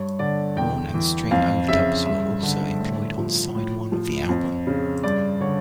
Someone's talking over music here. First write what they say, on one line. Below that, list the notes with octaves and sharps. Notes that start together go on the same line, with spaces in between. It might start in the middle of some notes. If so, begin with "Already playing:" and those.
Horn and string overdubs were also employed on side one of the album.
Already playing: G2 C#5
D3 D5
E2 G5
E3
F2 F5
C#3 E5
G2 E5
D3
A2
F3
A2
F3
F2
C#3
G2 D5
D3 C#5